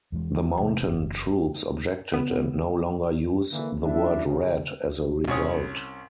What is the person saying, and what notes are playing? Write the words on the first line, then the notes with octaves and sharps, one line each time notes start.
The mountain troops objected, and no longer use the word 'red' as a result.
E2 E3 G#3
C3
F#1 C#4
B3
D3 E3 A#3
F#2 D4 E4 E5
C#3
C2 C#4 C#5 D#6